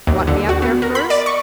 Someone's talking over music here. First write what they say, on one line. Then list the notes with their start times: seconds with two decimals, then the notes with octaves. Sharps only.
"Want me up there first?"
0.07 D#2
0.27 D3
0.49 F#4
0.62 B3
0.82 A#4
0.95 B5
1.10 D5
1.26 C#6